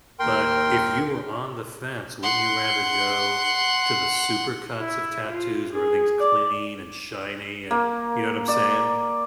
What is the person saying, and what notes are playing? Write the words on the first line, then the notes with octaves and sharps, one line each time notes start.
But if you were on the fence, wouldn't you rather go to the supercuts of tattoos where everything's clean and shiny and you know what I'm saying?
D#2 A#4 G5 C6
F#5 C6
E4
F4
G#4
D5
A#3
D5